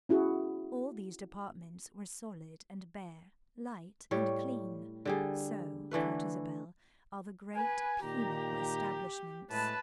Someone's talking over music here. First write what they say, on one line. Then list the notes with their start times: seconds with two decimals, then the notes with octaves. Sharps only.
All these departments were solid and bare, light and clean; so, thought Isabel, are the great penal establishments.
0.09 C#4 E4 F#4 G#4
4.11 A2 G3 C#5
5.05 D3 G3 G#4
5.91 D3 E3 A3 B4
7.55 B4 G#5
8.02 A#2 D#3 G4 A#5
9.50 A2 G#3 B4 A5